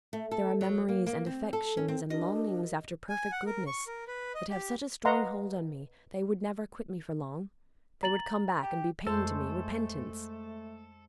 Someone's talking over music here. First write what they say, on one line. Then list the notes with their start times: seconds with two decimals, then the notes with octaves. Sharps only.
There are memories, and affections, and longings after perfect goodness, that have such a strong hold on me; they would never quit me for long; they would come back and be pain to me--repentance.
0.13 A3
0.31 A4
0.61 F#3
0.89 A#3
1.06 A#3
1.26 C4
1.53 A4
1.77 C#4
1.88 C4
2.10 D4 F#4 A#4 D#5
3.09 G#5
3.32 F#5
3.46 A#4
3.67 C#6
3.87 A#4
4.08 B4
4.35 D#5
4.49 G4
5.05 B4 D#5 F5 F#5 A#5 C6
8.03 A#5 A6 F#7
8.63 G4
9.07 F2 G#3 A3 A4 C5